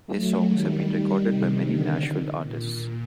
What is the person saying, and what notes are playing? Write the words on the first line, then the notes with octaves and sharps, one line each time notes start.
His songs have been recorded by many Nashville artists.
F#3 A3
D#3 G3
C3 D#3
D3
A#2